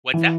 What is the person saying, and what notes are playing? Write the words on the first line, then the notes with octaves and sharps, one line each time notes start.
What's that?
E3